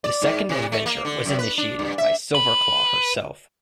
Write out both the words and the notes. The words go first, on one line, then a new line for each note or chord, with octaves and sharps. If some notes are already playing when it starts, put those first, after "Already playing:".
The second adventure was initiated by Silverclaw herself.
D5
G#2
C3
A3
A#3
D3
F#2
B4
D4
G2
E5
B4